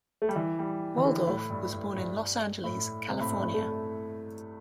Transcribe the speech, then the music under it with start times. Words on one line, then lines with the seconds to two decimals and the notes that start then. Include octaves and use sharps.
Waldorf was born in Los Angeles, California.
0.22 A3
0.29 G3
0.36 E3
0.59 G3
0.98 E3
1.05 D3
1.27 A2
1.50 G2
1.72 G2
1.96 G2
2.64 A2
3.09 C3
3.20 A2
3.31 G2
3.43 A2
3.54 A3